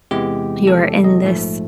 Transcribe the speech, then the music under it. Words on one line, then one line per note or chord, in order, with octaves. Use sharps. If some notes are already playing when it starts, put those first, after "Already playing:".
you are in this
E2 C3 E3 G#3 B3 G4
A4
D#5
A#1 G#2 F3 A3